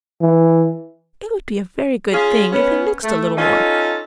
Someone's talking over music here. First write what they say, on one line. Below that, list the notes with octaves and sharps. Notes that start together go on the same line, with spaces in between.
It would be a very good thing if they mixed a little more.'
E3
C#4 F4 G#4
B3 C#4
A3
C#4 D#4 F4 A4